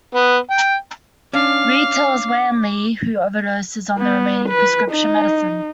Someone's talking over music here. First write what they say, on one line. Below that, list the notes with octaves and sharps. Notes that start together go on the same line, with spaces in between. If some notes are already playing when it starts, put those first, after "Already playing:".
Reed tells Wanley, who overdoses on the remaining prescription medicine.
B3
G5
C#4 D4 F5 D6
B3
B4
D#4